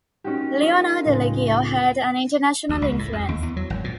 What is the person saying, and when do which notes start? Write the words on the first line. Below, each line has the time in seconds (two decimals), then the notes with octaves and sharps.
Leonard Liggio had an international influence.
0.24 A#3 C#4 D#4 F#4 G4
0.61 F4 A#4 C#5 D#5
1.03 C#2 A2 C7
2.69 D2
2.82 C#2
2.99 A2
3.13 F2
3.29 D#2
3.43 E2
3.57 F#3
3.70 G#1
3.84 A#2